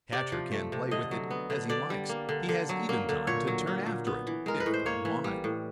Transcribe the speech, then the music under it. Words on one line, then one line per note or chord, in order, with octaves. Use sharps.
The catcher can play with it as he likes; he has even time to turn after it, if thrown wide.
C3 D5
F3
A3
C3
D3 D#5
F#3
B3
D3
D3 D5
G3
A#3
D3
D3
F#3
A#3
D3
A#2 C#5
F#3
A#3
A#2
B3
E3
G#3 A#4
B4
A2
C5
A#3 C#5
E3
G3
A2